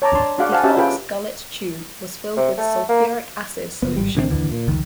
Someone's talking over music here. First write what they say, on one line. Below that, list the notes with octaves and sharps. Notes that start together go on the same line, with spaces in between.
The ox-gullet tube was filled with sulfuric acid solution.
C#5 A5 A#5 D6
D4 A5 C6
D4 F#4 G#4 F5 F#5 D6
C5 F5 F#5 G#5 A5
C#4 F#4 G4 E5 A5
F4 G#4 B4 G5
C3
A3
A#3
F#1 B3
G#1 C#2 G3
A1 D3 F3 C4
D#2 D3 E3
A#2
F1 C#2 D#3